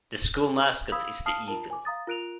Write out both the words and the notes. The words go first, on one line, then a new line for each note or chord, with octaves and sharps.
The school mascot is the eagle.
F5 B5 D#6 E6 G#6 B6
F5 A5 D#6 F6 C7
F4 A#4 A5
G#5 D6
F5 A#5 D#6 A6
F4 A#4 F#6 D7 D#7 F7